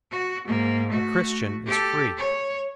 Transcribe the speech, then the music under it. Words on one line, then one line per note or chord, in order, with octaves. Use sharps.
A Christian is free.
F#4
G#2 A#3
A3 F#4
G4 A4
C#5